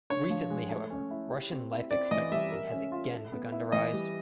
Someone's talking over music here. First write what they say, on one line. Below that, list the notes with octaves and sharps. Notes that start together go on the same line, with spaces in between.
Recently however, Russian life expectancy has again begun to rise.
D3 C#5
F3
G#3
A3
C#4
E4
G4
C4
E4
C4 D5
E3 D#5
G3 E5
A#4
C#4
F4
A4
B3
E4
E3 D#5
G3